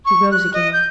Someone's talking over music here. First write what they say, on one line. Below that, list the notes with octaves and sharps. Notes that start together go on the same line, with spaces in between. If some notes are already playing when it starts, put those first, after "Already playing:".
He rose again.
C#6
F#6
D#5
G6